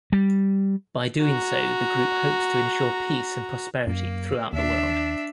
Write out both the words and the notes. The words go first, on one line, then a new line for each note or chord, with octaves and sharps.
By doing so, the group hopes to ensure peace and prosperity throughout the world.
G3
F#4 A#5
F#2 A#3
D#2 D4 E5